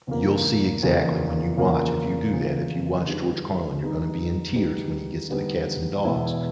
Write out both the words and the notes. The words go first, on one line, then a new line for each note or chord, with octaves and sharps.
you'll see exactly when you watch, if you do that, if you watch George Carlin, you're gonna be in tears when he gets to the cats and dogs,
E2 C#3 F3 A#3
E2 C#3 F3 A#3
E2 C#3 F3 A#3
E2 C#3 F3 A#3
D3 G3 B3 D#4 G#4
D3 G3 B3 D#4 G#4
D3 G3 B3 D#4 G#4
D3 G3 B3 D#4 G#4
E2 B2 G#3 B3 E4